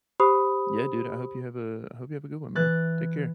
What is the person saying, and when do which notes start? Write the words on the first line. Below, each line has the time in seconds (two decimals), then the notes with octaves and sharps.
Yeah, dude, I hope you have a I hope you have a good one, man. Take care.
0.20 G4 C5 B5 D#6
2.55 E3 F#6 A6